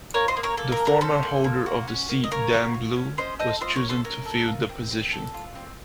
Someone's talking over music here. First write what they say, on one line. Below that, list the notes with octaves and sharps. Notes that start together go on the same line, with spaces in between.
The former holder of the seat, Dan Blue, was chosen to fill the position.
F4 A#4 C#5
C5 D#5
A#3
A#4 C#5
A#3 A4
A#4
A4
A#4
C#4 A4 C5
A#3
A#3
F#4
C#4
A#3
D#5
A#3 A#4 C#5
F#4
F4
C#4
C#4 C5 D#5
A4 C5 D#5
F4 C5 D#5
A#4 C#5
C#4
A4 C5
C#4 A#4
A4
F4
C4
C4
A4
F4
C4